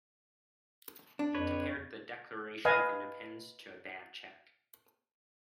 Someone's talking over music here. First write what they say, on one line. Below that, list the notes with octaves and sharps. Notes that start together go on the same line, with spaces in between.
He compared the Declaration of Independence to a bad check.
D4
F2 B4 C#5
B4 D#5 F5 G#5